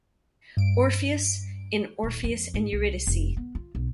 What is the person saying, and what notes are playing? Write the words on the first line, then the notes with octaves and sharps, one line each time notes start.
Orpheus in Orpheus and Eurydice.
G2 D7
D#1
F2
G#2
C2
F1
B3
F4
B1